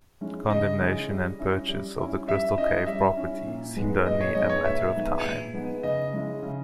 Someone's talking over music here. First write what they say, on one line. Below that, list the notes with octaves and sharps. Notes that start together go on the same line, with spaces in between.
Condemnation and purchase of the Crystal Cave property seemed only a matter of time.
G#3 C#4 E4
C#3 D#5
G#3 C#4 E4
G3
C#4 E4
G3
C#4 E4
G3 E5
C#4 E4 D#5
G3 E5
C#4 E4
A#2
G#3 B3 D#4
A#2 D#5
C#5
G#3 B3 D#4 D#5
C#5
A#2 E5
G#3 B3 D#4
A#2
G#3 B3 D#4
C#3 D#5
G#3 C#4 E4
C#3